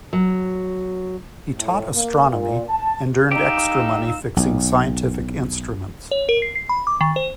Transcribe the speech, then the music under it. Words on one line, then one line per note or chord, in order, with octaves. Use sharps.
He taught astronomy and earned extra money fixing scientific instruments.
F#3
A2
A#3
A#2
A5
D#4 G4 F5 E6
B1
C#5
A#4
C7
C7
B5
D6
D#3
C5